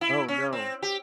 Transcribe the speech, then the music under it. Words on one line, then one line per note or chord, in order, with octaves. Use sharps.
Oh, no.
E4
C#4
C4
G4